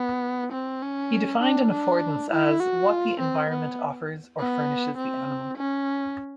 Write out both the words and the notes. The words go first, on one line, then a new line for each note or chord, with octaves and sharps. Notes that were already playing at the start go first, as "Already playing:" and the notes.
He defined an affordance as what the environment offers or furnishes the animal.
Already playing: B3
C4
C#4
D4
D4
E4
F#4
F4
C4
B3
B3
C4
C#4